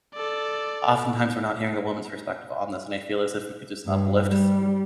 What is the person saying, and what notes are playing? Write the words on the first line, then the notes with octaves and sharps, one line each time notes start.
oftentimes we're not hearing the woman's perspective on this, and I feel as if we could just uplift, s
A4 D5
G2
G3